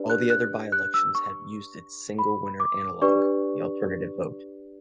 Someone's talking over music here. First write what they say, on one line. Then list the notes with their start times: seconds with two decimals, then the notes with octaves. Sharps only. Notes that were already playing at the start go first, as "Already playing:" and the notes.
All the other by-elections have used its single-winner analogue, the alternative vote.
Already playing: D4 G4 B4 D5
0.10 F#6
0.30 F#6
0.72 F#6
0.94 E6
1.15 C#6
2.19 B5
2.60 D6
3.02 D4 G4 B4 D5 C#6